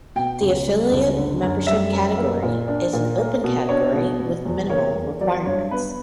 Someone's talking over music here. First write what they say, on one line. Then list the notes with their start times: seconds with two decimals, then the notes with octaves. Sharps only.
The Affiliate membership category is an open category with minimal requirements.
0.16 B2 G5
0.41 C#2
0.67 G3
0.91 C#2
1.16 D3
1.42 F#2
1.67 G3 E5
1.92 F#2
2.17 A#3
2.42 A#2
2.68 D4
2.93 A#2
3.18 A#3
3.44 B2
3.69 D4 C#5
3.95 B2
4.20 B2
4.45 E2
4.70 A#3 C#5
4.96 E2
5.20 F#3 D5
5.45 G2 C#5
5.71 B3 B4